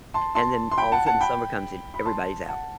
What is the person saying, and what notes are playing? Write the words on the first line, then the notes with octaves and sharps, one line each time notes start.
and then all of a sudden, summer comes in, everybody's out,
A5 C6
A5 C6
C6
G5 B5
F#5 A5
F#5 A5
G5 B5
B5
A5 C6
F#5 A5